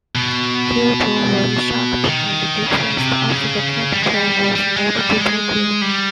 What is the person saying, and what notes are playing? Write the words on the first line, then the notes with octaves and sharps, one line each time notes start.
Kyoto was shocked and depressed after the capital was moved to Tokyo.
B2
D#3
C#3
C3
C#3
G3
G#3
G3
G3
G#3
G3
G#3
G3